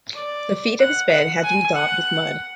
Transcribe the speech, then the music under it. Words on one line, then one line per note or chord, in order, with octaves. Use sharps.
The feet of his bed had to be daubed with mud.
D5
F#5
F#5
G#5
F#5